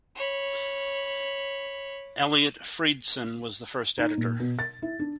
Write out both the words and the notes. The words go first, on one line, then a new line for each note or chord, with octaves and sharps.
Eliot Freidson was the first editor.
C#5 B5
D#4
A#2
B2
A6
E4
D4